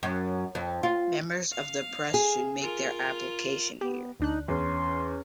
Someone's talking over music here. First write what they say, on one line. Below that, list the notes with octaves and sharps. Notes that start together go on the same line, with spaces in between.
Members of the press should make their application here.
F#2
F2
F4
F5
G#4
F4 A#4
B3 G4
D2 D4 D#4 F#6
E2 C#4 C6